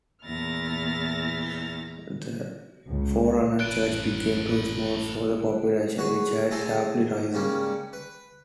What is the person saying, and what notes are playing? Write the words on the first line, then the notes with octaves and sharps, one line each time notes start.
The forerunner church became too small for the population, which had sharply risen.
E2 A#2 E4 F6 A6 A#6
C#2
A1 F#2 A4 B4 F#6 D7
F#4 G#4 B4 C#5
G#4 A4 C5 G#5 A#5 D#6
C#3 G3 G#3 A#3 C#4
B4